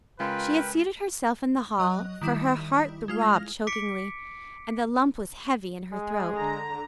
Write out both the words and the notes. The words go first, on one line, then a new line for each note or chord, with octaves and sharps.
She had seated herself in the hall, for her heart throbbed chokingly, and the lump was heavy in her throat.
C#3 G#3 F4 A#4 B4 G5
F#3 D#5 F#6
D#3 G3 E4
G#3 F4 F6
F6 A#6
D6 B6 C#7 D7
G#3 G#4
D3 A#5